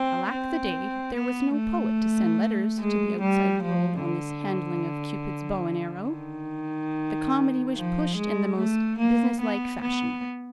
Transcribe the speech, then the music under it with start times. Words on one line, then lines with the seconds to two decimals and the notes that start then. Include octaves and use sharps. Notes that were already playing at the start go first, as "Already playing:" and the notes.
Alack the day, there was no poet to send letters to the outside world on this handling of Cupid's bow and arrow! The comedy was pushed in the most business-like fashion.
Already playing: C4
0.31 C4
1.15 B3
1.56 A3
2.80 G#3
3.21 G3
3.63 F3
4.03 D3
6.10 D#3
7.76 F3
8.16 G#3
8.58 A3
8.99 A#3
9.41 B3
9.82 B3